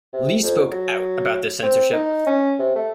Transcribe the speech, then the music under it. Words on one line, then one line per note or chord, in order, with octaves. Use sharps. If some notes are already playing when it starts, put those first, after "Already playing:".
Li spoke out about this censorship.
C3
F2
F#3
C4
D#4
C#4
C3
A3